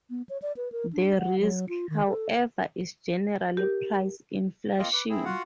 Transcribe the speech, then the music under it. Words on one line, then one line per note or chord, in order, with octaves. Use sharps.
The risk, however, is general price inflation.
B3
C#5
D5
B4
A#4
D4
F#5
F#3
F4
D#3
A4
G4 A#4
A#3 C4 F4 D#5 F5
B4 D6
C4 E4 G#4
F4 F#4 F5 F#5